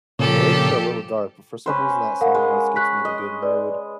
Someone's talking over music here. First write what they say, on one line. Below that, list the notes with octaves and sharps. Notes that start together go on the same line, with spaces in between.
the lyrics are a little dark, but for some reason that song always gets me in a good mood.
A#2 C#3 F3 G4 A4
C#4 B4 C5
A#4 F5 F#5
G#3
C#6 F#6 B6
D#5
B4 D5